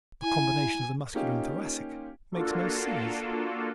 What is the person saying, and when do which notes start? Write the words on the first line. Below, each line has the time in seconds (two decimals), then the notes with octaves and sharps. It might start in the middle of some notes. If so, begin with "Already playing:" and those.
A combination of the Muscular and Thoracic makes most singers.
0.23 E4 G#5
1.15 A#3 C#4 D#4 F4 G4
2.32 A#3 D4 F4 F#4 A4